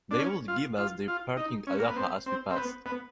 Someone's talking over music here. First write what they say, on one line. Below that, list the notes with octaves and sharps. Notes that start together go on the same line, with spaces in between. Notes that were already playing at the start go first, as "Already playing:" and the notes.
They would give us their parting aloha as we passed.
D4
C#4
F4
F4
F4
D#4
C#4
A#3
B3
C4
C4
C4
B3
B3